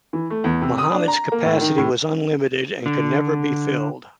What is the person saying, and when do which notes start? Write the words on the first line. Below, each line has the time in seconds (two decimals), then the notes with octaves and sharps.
Muhammad's capacity was unlimited and could never be filled.
0.13 E3
0.30 A3
0.44 E2
0.62 C3
0.78 D#6
0.91 D4
1.08 A#5
1.32 A#3
1.45 A2
1.61 D#3
1.78 A2
2.86 D3